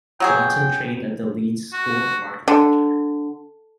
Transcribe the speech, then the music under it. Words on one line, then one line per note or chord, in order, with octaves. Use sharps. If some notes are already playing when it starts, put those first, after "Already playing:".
Johnson trained at the Leeds School of Architecture.
F#3 F#4 G#4 G5
F#4
D3